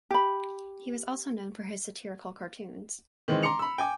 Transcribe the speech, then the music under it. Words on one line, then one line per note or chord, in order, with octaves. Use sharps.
He was also known for his satirical cartoons.
G4 B5
D#3 E3 G#3 C4
A#5 C6 D6 C#7 F7
B5 E6
G5 G#5 D6